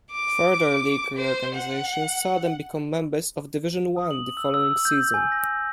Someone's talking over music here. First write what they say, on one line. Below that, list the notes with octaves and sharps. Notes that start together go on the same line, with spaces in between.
Further league reorganisation saw them become members of Division One the following season.
D6
C5
F#5
D#6
F#7
E6
E6
G6
G#5
A#6